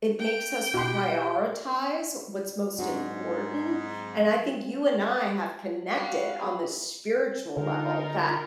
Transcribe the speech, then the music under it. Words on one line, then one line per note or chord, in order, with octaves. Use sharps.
It makes us prioritize what's most important, and I think you and I have connected on the spiritual level that,
G5
B2 G4 C6
G#2 F#3 C4 D4 F#4
G3 F#4 F5
B3 E4 G#4
D3 D#4 F4 A#4